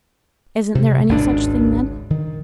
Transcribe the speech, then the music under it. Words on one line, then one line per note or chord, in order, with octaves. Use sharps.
"Isn't there any such thing, then?"
C3
G#1 C#2 D4
D#3